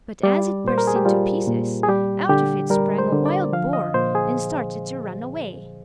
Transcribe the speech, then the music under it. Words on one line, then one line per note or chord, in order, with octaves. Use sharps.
But as it burst into pieces, out of it sprang a wild boar, and started to run away.
G3 D5
A#2 C5
A#4
G#4
G4
G3 F4
A#2
G#4
G3 G4
D3 G4
G3 A#4
C5
D3
D5
F3 F5
D#5
A#2 C5
G#4